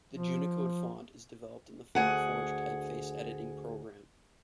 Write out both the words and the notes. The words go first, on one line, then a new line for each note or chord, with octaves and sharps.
The Junicode font is developed in the FontForge typeface editing program.
F3
D2 G#4 F#5